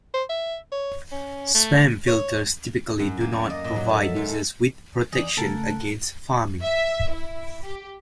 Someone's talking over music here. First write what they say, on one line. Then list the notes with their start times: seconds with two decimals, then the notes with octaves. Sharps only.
Spam filters typically do not provide users with protection against pharming.
0.14 C5
0.29 E5
0.72 C#5
1.12 C#4
1.54 A3
2.08 C#5
2.99 F#2
3.21 A#3
3.32 D5
3.50 D#5
3.64 A#2
3.76 F#3
3.89 A4
4.02 E5
4.16 G#2
4.28 A4
5.13 E3 D5 D#5
5.37 C#3 A3 A4 A#4 F#5 A5
6.63 E5
7.11 E4
7.62 G4